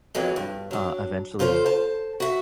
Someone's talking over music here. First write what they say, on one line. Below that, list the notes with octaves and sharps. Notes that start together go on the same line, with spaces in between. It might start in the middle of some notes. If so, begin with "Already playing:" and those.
uh, eventually,
F2 E3 F#3 G#3
G2
F#3 D4
C#3 F4 A4 B4 C5
C5 A5
F#4 E5